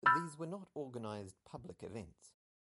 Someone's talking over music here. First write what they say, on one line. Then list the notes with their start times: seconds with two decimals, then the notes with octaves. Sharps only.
These were not organized public events.
0.06 B5 E6 F6 G6 A6